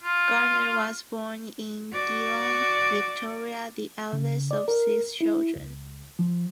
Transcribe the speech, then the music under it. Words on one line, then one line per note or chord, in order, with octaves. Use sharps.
Garner was born in Geelong, Victoria, the eldest of six children.
F4
F#4 D5
C#3
D5
A#4
E4
C#2
F3